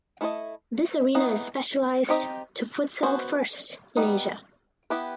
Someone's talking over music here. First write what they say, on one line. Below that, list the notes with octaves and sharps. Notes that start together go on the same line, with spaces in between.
This arena is specialized to futsal first in Asia.
A3 E4 A4 C5 D#5
E3 B3 D#4
C4 D#4 G4 D#5
B3 F#4 C5
G3 B3 D#4
B3 E4 G4 B4